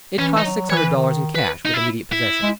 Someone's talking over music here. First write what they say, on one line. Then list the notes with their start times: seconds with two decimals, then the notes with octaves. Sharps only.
It cost six hundred dollars in cash, with immediate possession.
0.19 E3 C#4
0.38 D#4
0.45 F#3
0.70 E3 C#5
0.77 B4
0.96 D#3
1.35 B4
1.65 D#4
1.74 E4
2.12 E4
2.43 G#3